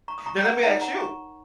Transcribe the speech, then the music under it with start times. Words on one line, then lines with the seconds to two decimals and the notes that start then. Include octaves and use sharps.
Now let me ask you.
0.08 A#5 C#6
0.18 D#6
0.26 A#5 C#6
0.44 F#5 A#5
0.63 D#4 A#4 C#5 F#5 A#5
0.82 F#5 A#5
1.00 A#5 C#6